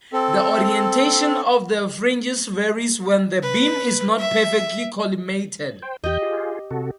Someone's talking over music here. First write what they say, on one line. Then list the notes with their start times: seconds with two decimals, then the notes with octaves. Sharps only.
The orientation of the fringes varies when the beam is not perfectly collimated.
0.13 C4 A4
3.42 B4
4.18 E5
5.82 C5 G5
6.04 E2 G4 D#5 G6
6.22 F4 G#4
6.71 C3 F#4 A4